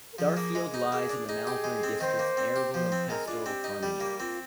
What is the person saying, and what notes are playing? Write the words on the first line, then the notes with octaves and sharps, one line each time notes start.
Darfield lies in the Malvern district's arable and pastoral farming area.
A#4
F3 G#4
A#3
G#3
D#4
A#3 G#4
D4
D#4 G#4
G4
G#3
C4
D#3 C5
A#3
C4
G4
F3 C5
C4
G#3 A#4
D4 F4
C4 G4
D#4
G3
A#3
C4 F4